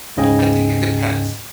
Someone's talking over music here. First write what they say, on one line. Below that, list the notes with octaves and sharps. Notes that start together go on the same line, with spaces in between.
I think it depends,
D2 G#2 C#3 D#5 G5 G#5